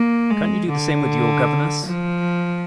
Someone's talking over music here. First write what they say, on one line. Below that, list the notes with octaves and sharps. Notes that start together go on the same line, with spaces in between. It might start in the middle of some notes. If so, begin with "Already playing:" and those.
Can't you do the same with your governess?
Already playing: A#3
G#3
D3
F3